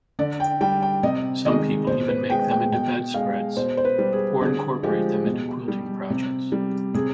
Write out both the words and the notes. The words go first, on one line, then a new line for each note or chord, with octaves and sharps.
Some people even make them into bedspreads or incorporate them into quilting projects.
D3 D5
G5
G3 G5
G5
C3 D#5
D#3 G#3 D#5
B2 C5
B4
G#3 G5
G5
B2 G5
G#3 F5
B2 C5
C5
B4
G3
G#4
D3 G#4
F3 G#3 G4
B2
G3
C3
G3
C3 G#4